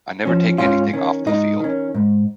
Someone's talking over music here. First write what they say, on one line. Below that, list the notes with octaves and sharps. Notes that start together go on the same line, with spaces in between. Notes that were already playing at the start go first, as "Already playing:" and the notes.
I never take anything off the field.
F3 C#4
G#2 C#4 F4
D#3 C#4
G#2 D#4
D#3 C#4
G#2